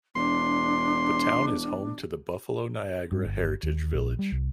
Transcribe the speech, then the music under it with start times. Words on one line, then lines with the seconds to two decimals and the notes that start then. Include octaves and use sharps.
The town is home to the Buffalo Niagara Heritage Village.
0.15 E1 D4 C6
3.12 G2
3.24 G1
3.63 D#2
3.94 A#1
4.19 G3
4.32 C2